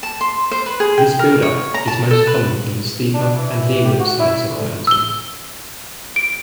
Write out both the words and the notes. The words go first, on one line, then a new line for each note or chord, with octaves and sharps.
This build-up is most common on the steeper and leeward sides of mountains.
A5
C6
C5
B4
G#4
G5
A#4
C#5
A#5
A5
A4
B4
D4
E3
G4
F#4
E4
D2
E6 G7
D7